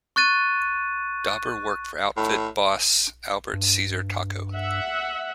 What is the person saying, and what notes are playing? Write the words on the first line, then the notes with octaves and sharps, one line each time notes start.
Dauber worked for Outfit boss Albert Caesar Tocco.
C#6 F#6 A6 D#7
A2
G2
E5 F#5